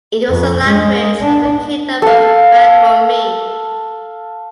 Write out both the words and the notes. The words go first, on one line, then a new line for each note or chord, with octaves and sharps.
It was the language of the Kingdom of Baguirmi.
F2
G#3
D4
A4 F5